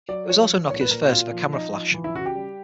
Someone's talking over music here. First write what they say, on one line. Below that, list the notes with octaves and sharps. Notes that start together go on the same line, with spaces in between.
It was also Nokia's first with a camera flash.
F#3 D5
F3 C#5
F3
A#2 C#5
B4
A#2 A#4
F#4
A#2 F4
F3
F3 D#4
F3
E3
E4
C#3 F#4
G4
G3